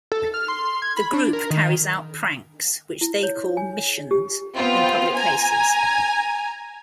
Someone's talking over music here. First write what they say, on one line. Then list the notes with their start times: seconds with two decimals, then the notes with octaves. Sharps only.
The group carries out pranks, which they call "missions", in public places.
0.12 A4
0.34 F6
0.48 C6
0.82 G#6
0.97 B5
1.13 D4
1.33 A#4
1.50 D#3
3.01 E4
3.23 C#5
3.57 G#5
4.11 G4
4.56 B3 C4 F4
5.15 G#5 A#5